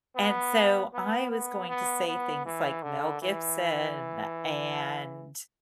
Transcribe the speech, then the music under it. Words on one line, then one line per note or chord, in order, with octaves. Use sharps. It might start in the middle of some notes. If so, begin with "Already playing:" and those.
and so I was going to say things like, Mel Gibson and,
B3
B3
B3
B3
B3
E3
D3
E3